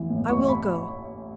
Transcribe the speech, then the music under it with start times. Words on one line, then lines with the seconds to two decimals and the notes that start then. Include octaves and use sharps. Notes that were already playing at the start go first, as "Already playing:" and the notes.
'I will go.
Already playing: A1 E3
0.10 A2
0.29 A1 C#6
0.49 B5